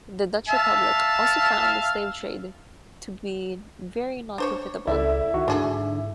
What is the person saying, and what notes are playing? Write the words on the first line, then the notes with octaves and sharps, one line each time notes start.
The Dutch Republic also found the slave trade to be very not profitable.
E5 F5 A5
D4 C5 C#5
C#2 E4 A4 D5
D#3 F#4
G#2 D3 D4 G#4 A4